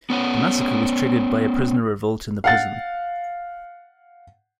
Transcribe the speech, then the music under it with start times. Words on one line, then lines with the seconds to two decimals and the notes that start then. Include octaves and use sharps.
The massacre was triggered by a prisoner revolt in the prison.
0.10 B3 C#4 F#5
2.44 F5 F#5 A6